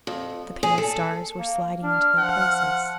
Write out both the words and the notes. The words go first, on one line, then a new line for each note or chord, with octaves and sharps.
The pale stars were sliding into their places.
F2
G#4
A4
A#3
D4 F6
F3 F#5